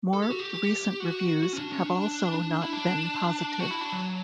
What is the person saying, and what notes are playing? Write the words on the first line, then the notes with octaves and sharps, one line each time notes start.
More recent reviews have also not been positive.
A4
G4
F#4
G4
F#4
F#4
C#4
D4
C#4
D4
E4
D4
F#4
E4
D4
F#3